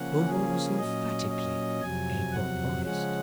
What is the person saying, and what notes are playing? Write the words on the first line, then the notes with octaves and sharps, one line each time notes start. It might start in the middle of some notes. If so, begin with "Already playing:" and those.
Bon-Bon was emphatically a--Bon-Bonist.
Already playing: C#3 F3 A#3 C#4 F#5
G#4
A#2 F#3 C#4 D#5
D#5
F2 C3 F#3 G#5
F#5
C#3 F3 G#3 C#4 F#5